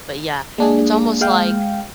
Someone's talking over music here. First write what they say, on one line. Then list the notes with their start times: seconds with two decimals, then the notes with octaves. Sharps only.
But, yeah. It's almost like
0.58 G#3 A#3 D4 G#4
1.21 G#3 F5 G5